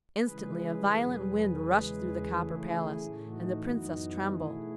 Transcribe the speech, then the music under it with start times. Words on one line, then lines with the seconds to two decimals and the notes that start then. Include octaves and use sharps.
Instantly a violent wind rushed through the copper palace, and the Princess trembled.
0.24 C#3 E3 G#3 G#4 B4
0.92 E2 B2 F#3
1.59 E2 C#3 E3 G#3
2.27 C#3 E3 A3 E4 G#4
2.95 A2 E3 A3
3.28 D#4 F#4
3.62 F#2 E3 B3 D#4 F#4
4.29 B2 A3 E4 G#4